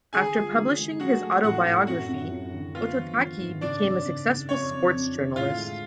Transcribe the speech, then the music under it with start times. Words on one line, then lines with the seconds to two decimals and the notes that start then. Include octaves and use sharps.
After publishing his autobiography, Ototake became a successful sports journalist.
0.13 D3 G#4 G#5
0.35 F4
0.56 D3
0.78 G#3
1.00 F#3 F#4 F#5
1.22 A3
1.43 A2 F#4 F#5
1.66 A2
1.87 F#2 F#4 F#5
2.09 F#2
2.32 F#2
2.53 D3
2.75 B3 F4 F5
2.97 F3
3.18 F3
3.40 G#2
3.61 C#3 D4 D5
3.84 C#3
4.05 C#3
4.27 C#3
4.49 F2 C#5
4.71 F2
4.93 F2
5.15 D3
5.36 A2 F4 F5
5.58 G#3